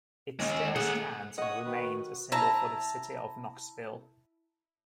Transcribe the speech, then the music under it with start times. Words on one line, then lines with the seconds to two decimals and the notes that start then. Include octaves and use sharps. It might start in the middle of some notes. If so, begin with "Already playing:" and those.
It still stands and remains a symbol for the city of Knoxville.
0.40 D#2 G#3 C#4
0.76 A#3 G#4 F#5
1.38 C#5 D#5 F#5 D#6
1.65 D#3 F#4 B4
2.32 E4 A5 A#5